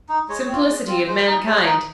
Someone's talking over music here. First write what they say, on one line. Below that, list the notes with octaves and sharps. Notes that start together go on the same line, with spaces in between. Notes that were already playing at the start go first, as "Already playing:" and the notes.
Simplicity of mankind!
D#4
G#3 C#5
C4 F4
G#3
C4 F4
G#3 C5
D#4
G#3 C#5
D#4